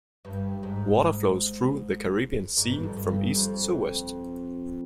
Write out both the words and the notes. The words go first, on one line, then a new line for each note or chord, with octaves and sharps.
Water flows through the Caribbean Sea from east to west.
G2
G#2
G#2
G2
F2
G2
F2